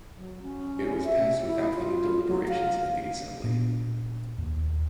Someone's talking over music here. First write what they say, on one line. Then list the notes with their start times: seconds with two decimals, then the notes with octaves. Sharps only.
It was passed without any deliberations in the assembly.
0.17 F#3
0.42 C#4
1.04 E5
1.45 E4
1.74 F4
2.28 F#3
2.48 F5
3.43 A#2 B3 D4
4.38 D#2